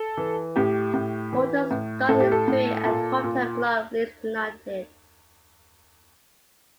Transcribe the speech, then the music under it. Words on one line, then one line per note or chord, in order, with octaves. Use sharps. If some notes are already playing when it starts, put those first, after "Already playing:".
Walton started his career at hometown club Leeds United.
Already playing: A4
E3
A2 G4
A2
E3
A2
A2 A4
G4
A4
A2
A#2
A#2